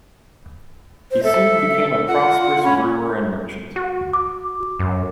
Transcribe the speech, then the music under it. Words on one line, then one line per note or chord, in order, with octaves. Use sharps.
He soon became a prosperous brewer and merchant.
C5
A4 E5
F4 F#5
C#4 B5
F#4
D6
F#2